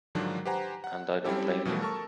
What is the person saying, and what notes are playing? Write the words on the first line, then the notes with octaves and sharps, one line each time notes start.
And I don't blame you.
G#2 D3 D#3 F3 F#3 D4
G4 B4 C5 F#5 G#5 A#5
F#5
G3 C4 C#4 E4 G4 A4
B2 E3 F3 G3 A3
A4 A#4 A5 C#6 E6